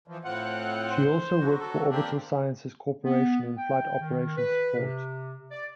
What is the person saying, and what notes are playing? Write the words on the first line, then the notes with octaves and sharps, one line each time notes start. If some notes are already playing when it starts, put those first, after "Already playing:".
She also worked for Orbital Sciences Corporation in flight operations support.
E3 F3
A2 C4 F4 F#5
C5
F#3 F#4
A4
A#3 C4 D4 G4
B3
G5
D#3
B4
C3
D5